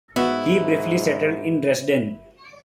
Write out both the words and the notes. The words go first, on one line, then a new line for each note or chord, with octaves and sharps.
He briefly settled in Dresden.
G#2 B3 E4 F#4